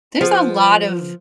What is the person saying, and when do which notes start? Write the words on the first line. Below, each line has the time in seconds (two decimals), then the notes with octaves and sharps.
There's a lot of
0.21 F3 B3